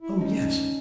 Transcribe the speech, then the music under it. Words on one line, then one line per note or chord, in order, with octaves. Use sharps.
"Oh, yes."
E4
D2 C#4 D#4